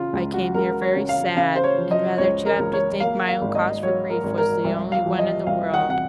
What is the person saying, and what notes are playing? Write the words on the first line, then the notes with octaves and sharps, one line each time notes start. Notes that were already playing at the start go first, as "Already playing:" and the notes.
I came here very sad, and rather too apt to think my own cause for grief was the only one in the world.
Already playing: C#3 F4
C#2
F#4
C#2 A#4
C#5
C#3
F5
C#3 F5
C5
C#5
F3
D#5
C#2 C#5
A#4
C#2
C#5
A#3 F5
F5
G#1
D#5
F#3 C#5
A#4
G#1
A#4
C2
F5
F3
D#5
C2 F5
F#5
C3 F#5